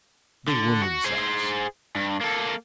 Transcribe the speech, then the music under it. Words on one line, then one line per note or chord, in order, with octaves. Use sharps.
They wound themselves.
D3
F#4
G#4 C5
G2
A#3 A4